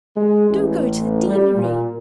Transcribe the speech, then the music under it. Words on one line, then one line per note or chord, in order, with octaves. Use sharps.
Do go to the deanery.
G#3
A1
G3
A#2